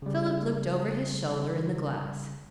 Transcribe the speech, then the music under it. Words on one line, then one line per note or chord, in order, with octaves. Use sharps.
Philip looked over his shoulder in the glass.
C#3 G3